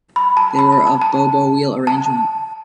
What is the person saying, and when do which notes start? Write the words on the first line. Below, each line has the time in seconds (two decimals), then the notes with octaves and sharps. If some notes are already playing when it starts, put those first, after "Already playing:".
They were of Bo-Bo wheel arrangement.
0.16 B5
0.37 A5
0.59 B5
0.72 A5
0.87 A5
1.02 A5
1.87 A5